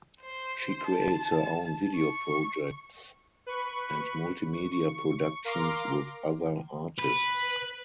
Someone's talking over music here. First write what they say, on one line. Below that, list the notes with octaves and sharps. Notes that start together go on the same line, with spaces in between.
She creates her own video projects and multimedia productions with other artists.
C5
A5
C#6
B4 B5 C#6
C#6
A#4 F5 A#5 C6 D6
B4